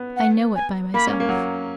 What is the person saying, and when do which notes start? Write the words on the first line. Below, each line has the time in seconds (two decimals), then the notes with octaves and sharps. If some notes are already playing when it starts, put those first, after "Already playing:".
I know it by myself.
Already playing: B3
0.17 F#5
0.56 G#5
0.94 A#3 B5
1.07 C#4
1.20 A#3
1.29 F#3